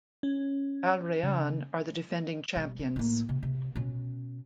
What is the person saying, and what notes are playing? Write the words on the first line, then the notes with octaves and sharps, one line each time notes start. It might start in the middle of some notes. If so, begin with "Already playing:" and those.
Al Rayyan are the defending champions.
C#4
C#3
B2 G3
F#3
A2 A#3
C3
C3
B2 C#4